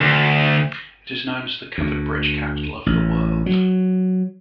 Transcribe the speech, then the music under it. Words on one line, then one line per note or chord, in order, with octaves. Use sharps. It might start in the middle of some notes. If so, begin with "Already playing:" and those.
It is known as "The Covered Bridge Capital of the World".
D2
D2
A1
F#3